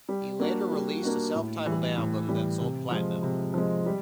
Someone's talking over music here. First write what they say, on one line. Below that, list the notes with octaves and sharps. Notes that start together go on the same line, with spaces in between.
He later released a self-titled album that sold platinum.
G3
A#3 D4 F#4
G3
A#3 D4 F#4
A2
E3 G3
A2
E3 G3
C3
F3 G#3
C3
F3 G#3
G3